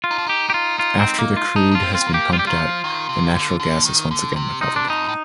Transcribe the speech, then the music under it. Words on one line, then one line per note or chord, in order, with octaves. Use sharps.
After the crude has been pumped out, the natural gas is once again recovered.
F4
D#4
D4
D#4 G4
G4
F4
F4
C4
A#3
F4
D4 D#4
D4 F4
C4
F4
C4
A#3
G4
G3 F4
G4
D#3 F4
F3
D#3
C3
D3
D3
D#3
D3
C3
C3 D#4
D4
F2 D#4
A2